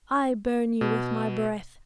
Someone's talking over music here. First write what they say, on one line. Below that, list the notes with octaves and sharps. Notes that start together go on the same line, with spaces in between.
I burn you with my breath!
B2